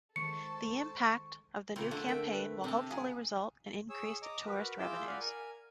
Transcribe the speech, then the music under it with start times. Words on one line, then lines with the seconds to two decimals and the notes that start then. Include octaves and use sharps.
The impact of the new campaign will hopefully result in increased tourist revenues.
0.16 D#3 G#3 A4 C5 A5 C#6 C#7
1.76 A#2 C#3 C4
1.91 D3 A3
2.08 A#4 G5
2.32 B4
2.64 C3 C4 A5
2.91 G#4 F5 G#5 A#5
3.90 G#4 C#5 E6
4.22 D#5 A#5 D6
4.46 F#4 A#4 B4
4.79 E4 F4 G#4 D6 E6 G6
5.07 D5 F5 F#5 G#5 B5
5.21 A#4 G#5